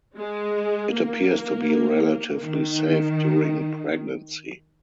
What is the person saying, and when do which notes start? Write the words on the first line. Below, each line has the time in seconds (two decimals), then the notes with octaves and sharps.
It appears to be relatively safe during pregnancy.
0.17 G#3
0.91 A#3
2.41 D#3